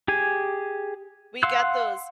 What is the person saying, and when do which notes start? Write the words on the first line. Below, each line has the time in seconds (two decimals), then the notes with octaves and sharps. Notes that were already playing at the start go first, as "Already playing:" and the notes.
we got those
0.08 G4 G#4 G#5
1.43 F5 F#5 C6 E6 F#6